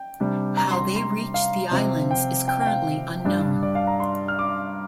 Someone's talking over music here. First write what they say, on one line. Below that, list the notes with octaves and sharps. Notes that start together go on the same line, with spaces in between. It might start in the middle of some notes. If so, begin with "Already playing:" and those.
How they reached the islands is currently unknown.
Already playing: G5
C3 G3 D4
A#5
C6
C6
F5
C3 F3 C4
G5
G5
G5
F5
G2 G3 D4
D5
F5
A#5
C6
F6
D6